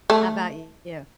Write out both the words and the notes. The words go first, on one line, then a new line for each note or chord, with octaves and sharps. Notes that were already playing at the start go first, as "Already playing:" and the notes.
How about you?
A3